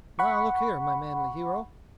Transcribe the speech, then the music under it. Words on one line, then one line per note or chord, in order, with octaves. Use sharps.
Now, look here, my manly hero.
F#5 B5 C#6